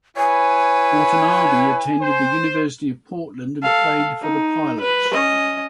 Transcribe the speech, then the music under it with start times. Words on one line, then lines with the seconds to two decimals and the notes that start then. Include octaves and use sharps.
Watanabe attended the University of Portland and played for the Pilots.
0.17 E4 B4 C#5 G#5
2.02 C5
3.63 A4 F5
4.22 D#4
4.81 B4
5.12 C#4 D#5